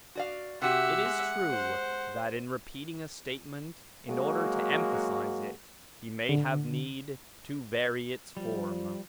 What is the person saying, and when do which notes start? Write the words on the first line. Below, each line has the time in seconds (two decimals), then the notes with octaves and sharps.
It is true that in repeating a statement in order to emphasize it he may have need to vary its form.
0.15 F#4 D5 F5
0.62 C3 F#4 G4 E5 F#5
1.05 G#3
1.50 C5
4.07 F#3 G#3 A#3 F#4
6.29 D3
8.37 F3 G3